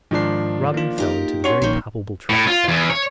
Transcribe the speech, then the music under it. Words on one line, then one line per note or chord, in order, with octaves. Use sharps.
Robin fell into the very palpable trap set for him.
G#2 D#3 F3 D4 C7
A#3 F4
D#4 G4 A#4
C#4 F#4 C#5 C6 C#6
A#1 D#3 A#3 C#6 G6
A2
F4
E2
C#5